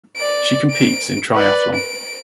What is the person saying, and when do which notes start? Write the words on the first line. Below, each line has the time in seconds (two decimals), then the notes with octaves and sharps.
She competes in triathlon.
0.17 D5 D7
0.71 D7
1.35 B4 D5
1.74 D7